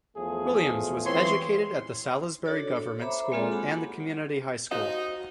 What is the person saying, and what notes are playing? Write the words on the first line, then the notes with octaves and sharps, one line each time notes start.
Williams was educated at the Salisbury Government School and the Community High School.
E2 F3 A3 G#4
E3 C4 C#5 C6
D4 F#4 A4 C#5 D5
A4 C#5
C5 C#5 E5 A#5 B5 D6
G#3 A#3 C4 F4 G#4 A4
F#4 G4 F#5 G#5 B5
F#5
D#4 F#4 C5 F5